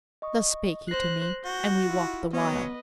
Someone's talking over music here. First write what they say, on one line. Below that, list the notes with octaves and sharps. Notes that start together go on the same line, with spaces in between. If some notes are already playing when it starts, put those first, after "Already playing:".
Thus spake he to me, and we walked the while.
D#5 C#6 D#6
C5 F#6 A#6 C7
F#4 G6
E4 F4
F#3 B3 C#4 B4 D#5